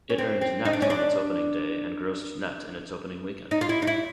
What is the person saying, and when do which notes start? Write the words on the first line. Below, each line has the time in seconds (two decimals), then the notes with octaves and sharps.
It earned nett on its opening day, and grossed nett in its opening weekend.
0.10 C#4
0.18 C4
0.41 C4
0.65 D#4
0.73 D4
0.82 C#4
0.90 D4
3.51 D#4
3.61 F4
3.69 E4
3.82 D#4
3.87 E4